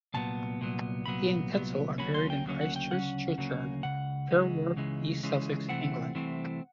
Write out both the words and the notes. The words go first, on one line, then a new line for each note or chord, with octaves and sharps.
He and Tetzel are buried in Christ Church Churchyard, Fairwarp, East Sussex, England.
C2 A#2 F#3 B3 A5
C2 A#2 F#3 B3
C2 A#2 F#3 B3 B5
C2 A#2 F#3 B3
D2 C#3 F#3 A#3 C#4 B5
C6
G5
D2 C#3 F#3 A#3 C#4
F#5
G5
D2 C#3 F#3 C#4 F#5
D2 C#3 F#3 A#3 C#4
C#2 C#3 F#5
C#2 C#3 E3 G#3
C#2 C#3 E3 G#3
C#2 C#3 E3 G#3
C2 C3 E3 A3 C4 F#5
C2 C3 E3 A3 C4